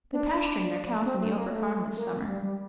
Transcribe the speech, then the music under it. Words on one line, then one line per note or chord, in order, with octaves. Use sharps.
They're pasturing their cows on the upper farm this summer.
D4
C4
A3
A#3
A3
A#3
G3
G3